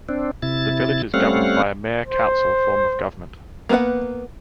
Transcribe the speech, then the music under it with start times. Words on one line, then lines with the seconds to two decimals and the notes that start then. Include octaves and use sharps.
The village is governed by a Mayor-Council form of government.
0.09 C4 D4
0.42 C3 E4 A6
1.14 G3 A3 C4 C#4 F5 F#5
2.04 C5
3.69 A#3 B3 G#4 B4 F#5